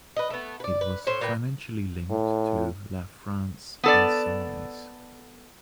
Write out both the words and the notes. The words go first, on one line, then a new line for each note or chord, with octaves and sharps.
It was financially linked to La France insoumise.
B4 D#5
A3 B3
B4 D5
B4
A2 C5 C#5
A#2 A#4 B4 G5
A2
B3 A4 D5